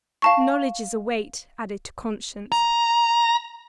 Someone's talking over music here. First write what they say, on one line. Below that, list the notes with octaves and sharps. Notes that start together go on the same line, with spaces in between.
"Knowledge is a weight added to conscience."
F5 A5 C#6
A#5